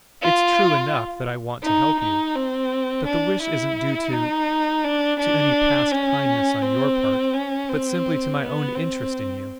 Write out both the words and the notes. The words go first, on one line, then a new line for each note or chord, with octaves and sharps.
It's true enough that I want to help you; but the wish isn't due to...to any past kindness on your part, but simply to my own interest in you.
F4
D#4
D#4
C4
D4
E4
D#4
D4
D4
C#4
C4
C#4
C4
B3
C4